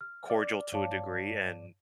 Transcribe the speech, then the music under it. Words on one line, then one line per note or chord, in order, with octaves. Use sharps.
cordial to a degree and
F6
D5
G2 C#5 D5 F5 A5